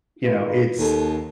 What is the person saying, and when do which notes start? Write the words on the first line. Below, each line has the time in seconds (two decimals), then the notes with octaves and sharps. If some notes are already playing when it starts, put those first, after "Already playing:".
you know, it's
0.23 D#3 F4 B4
0.79 D#2 A4